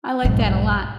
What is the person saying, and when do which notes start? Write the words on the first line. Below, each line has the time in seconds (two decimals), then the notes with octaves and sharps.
I like that a lot.
0.23 B1 G#2